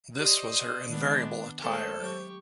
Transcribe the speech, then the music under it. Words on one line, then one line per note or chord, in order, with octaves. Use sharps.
This was her invariable attire.
G4 C5 D5 D#5
D#3 G#3 B3 D4
G#3 A3 G#4 A4 C5
F#3 G4 C#5 C#6